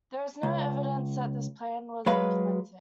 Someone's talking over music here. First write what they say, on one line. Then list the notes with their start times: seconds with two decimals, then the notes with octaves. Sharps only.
There is no evidence that this plan was implemented.
0.43 C#2
2.06 F#3 G#3 B4 F5